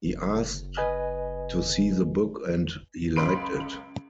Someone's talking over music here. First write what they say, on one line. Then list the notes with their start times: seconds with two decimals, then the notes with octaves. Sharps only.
He asked to see the book and he liked it.
0.06 F#1
0.77 B4 D#5 G#5
3.16 C#2 F#2 B5 C6 D7